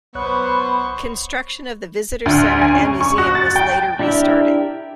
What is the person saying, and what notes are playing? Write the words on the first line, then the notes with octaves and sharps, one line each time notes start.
Construction of the visitor center and museum was later restarted.
B1 B3 C5 C#5 B5 C#6 F#6
D2
G#5
C#4
C#6
F#4
A6
G5
D4 E4 G4 A#4 E5